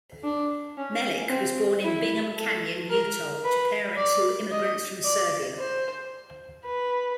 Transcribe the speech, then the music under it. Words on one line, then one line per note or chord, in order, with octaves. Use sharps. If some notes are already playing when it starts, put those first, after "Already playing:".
Melich was born in Bingham Canyon, Utah to parents who were immigrants from Serbia.
D4
C#4
C4
E4
A4
A#4
B4
D5
D#5
D5
C5
B4